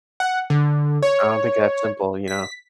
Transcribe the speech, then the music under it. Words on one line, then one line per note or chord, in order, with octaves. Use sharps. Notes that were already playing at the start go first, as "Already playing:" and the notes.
I don't think it's that simple, you know,
F#5
D3
C#5
B6